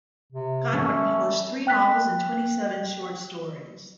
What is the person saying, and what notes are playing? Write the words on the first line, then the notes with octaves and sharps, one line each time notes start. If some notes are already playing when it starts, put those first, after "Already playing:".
Godwin published three novels and twenty seven short stories.
C3
A3 C#4
G3
G5 F#6 B6